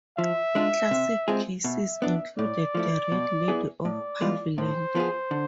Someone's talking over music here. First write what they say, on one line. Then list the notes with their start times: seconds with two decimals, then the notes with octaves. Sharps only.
Classic cases included the Red Lady of Paviland.
0.18 F3 E5
0.55 G#3 D4 F4
0.91 C3
1.28 G#3 C4 F4 G#4
1.64 B2 E5
2.02 B3 D4
2.38 A2 D5
2.75 F3 A3 E4
3.12 B2
3.48 B3 E4 G#4
3.84 A2 D5
4.21 E3 G#3 B3 F4
4.58 A2 C5
4.95 F3 B3 F4 G#4
5.31 D3